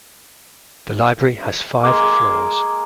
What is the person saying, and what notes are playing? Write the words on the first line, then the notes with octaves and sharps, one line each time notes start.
The library has five floors.
G#3 A#3 D6